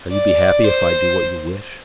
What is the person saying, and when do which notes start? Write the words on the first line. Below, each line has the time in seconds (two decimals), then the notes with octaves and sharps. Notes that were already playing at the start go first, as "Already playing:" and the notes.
"Shall you be happy if I do what you wish?"
0.12 D5
0.64 C5